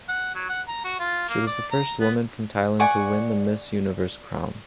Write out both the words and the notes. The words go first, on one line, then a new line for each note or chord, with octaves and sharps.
She was the first woman from Thailand to win the Miss Universe crown.
F#5
F#3
F#5
A#5
F#4
F4
A#3
D5
A#5
B3
D5 F#5 G#5 C#6